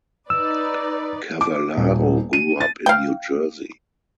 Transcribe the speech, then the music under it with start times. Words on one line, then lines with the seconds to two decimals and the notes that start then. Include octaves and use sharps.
Cavallaro grew up in New Jersey.
0.30 D#4 B4 D5 E6
1.41 D6
1.77 D#1
2.33 D#7
2.61 A6
2.86 F5 G5